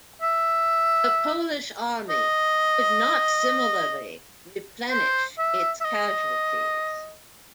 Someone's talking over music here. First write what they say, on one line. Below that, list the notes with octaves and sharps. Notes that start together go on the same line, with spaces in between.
The Polish Army could not similarly replenish its casualties.
E5
D#5
C5
E5
E5
D#5